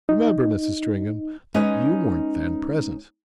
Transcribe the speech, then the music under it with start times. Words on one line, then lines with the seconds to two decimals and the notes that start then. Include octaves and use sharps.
"Remember, Mrs. Stringham, that you weren't then present."
0.09 D#4
1.54 G#3 C#4 D#4 B4 C#5 D#5